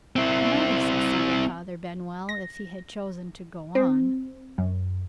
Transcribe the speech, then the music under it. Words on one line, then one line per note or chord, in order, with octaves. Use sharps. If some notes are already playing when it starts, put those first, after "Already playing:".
"He might have succeeded, Father Benwell, if he had chosen to go on."
C4 E4
A#6
C4
F#2